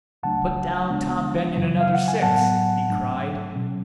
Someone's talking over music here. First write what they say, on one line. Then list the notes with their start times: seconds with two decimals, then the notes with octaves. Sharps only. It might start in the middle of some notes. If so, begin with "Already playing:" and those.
"Put down Tom Benyon another six!" he cried.
0.23 C#2 C#3 F#3 A3 D4 F#5 A5
0.90 D2 C#3 G#3 B3 D4
1.56 F#2 C#3 F#3
1.81 F5
1.94 F#5
2.08 G#5
2.22 A2 F#3 B3 F#5 A5
2.88 G#2 F#3 A3 D4
3.54 B2 F#3 C#4